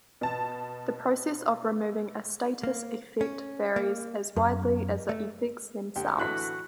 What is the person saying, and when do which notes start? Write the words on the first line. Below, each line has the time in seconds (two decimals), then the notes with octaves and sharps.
The process of removing a status effect varies as widely as the effects themselves.
0.21 B2 A5
2.63 A#3
3.21 C#4
3.76 A#3
4.36 F#2
5.09 A3
5.96 D2 G4
6.17 A2 D3 E3 F#4 C#6 F#6 B6